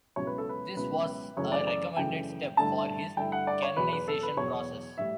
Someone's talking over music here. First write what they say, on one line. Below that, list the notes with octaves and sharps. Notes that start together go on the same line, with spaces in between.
This was a recommended step for his canonization process.
C#2 B2 F#3 C#4 E4 C#5
B4
A4
B4
C#2 B2 F#3 C#4 E4 B4
F#2 C#3 E3 A3 C#5
D5
D5
F#2 C#3 E3 A3 G5
G2 D3 A3 E4 A5
G2 D3 A3 E4 G5
F#5
D5
C#5
E2 B2 F#3 B4
B4
A4
B4
E2 B2 F#3 C#5
A2 G3 E5